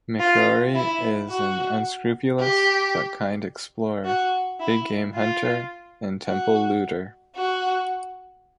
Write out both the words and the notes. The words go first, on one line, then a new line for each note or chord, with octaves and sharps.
McRory is an unscrupulous but kind explorer, big-game hunter, and temple looter.
F4
E4
F#4
G4
F#4
E4
F4
F#4
F#4